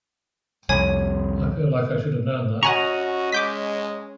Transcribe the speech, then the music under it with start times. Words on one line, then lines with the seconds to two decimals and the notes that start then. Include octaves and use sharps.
I feel like I should have known that.
0.69 C2 F2 C#5 G#5 G#6
2.63 C#4 F#4 D#5 F#5 G#5 A#5 C#6
3.32 G#3 D6 G6 B6